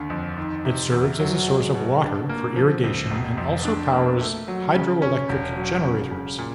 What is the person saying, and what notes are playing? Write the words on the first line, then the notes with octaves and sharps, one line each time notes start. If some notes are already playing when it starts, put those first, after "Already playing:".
It serves as a source of water for irrigation and also powers hydroelectric generators.
Already playing: D#2 D3
F2
D#3
C3
E2
F#3
G#3
B2
D4
A#3
F3
C#2
F1
F2
D4
A#3
A3
F#3
C#3
C#4
E1
F#3
C#3
C#3
A#2